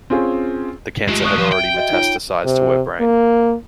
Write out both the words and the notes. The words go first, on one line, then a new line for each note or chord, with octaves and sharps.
The cancer had already metastasized to her brain.
C4 C#4 F4 G#4
G#3 A3 F4 G4 E7
C#6 D#6 F#6
F3
E5 G5
F#4 D#5 E5
D#4 F4 C#5
C3
A#3